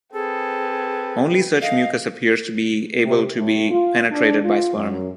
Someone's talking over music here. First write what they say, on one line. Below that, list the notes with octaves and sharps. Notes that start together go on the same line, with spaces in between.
Only such mucus appears to be able to be penetrated by sperm.
C4 G#4 A4 B4
D#5 F5
C3
A2
F4
D4
F4
F#2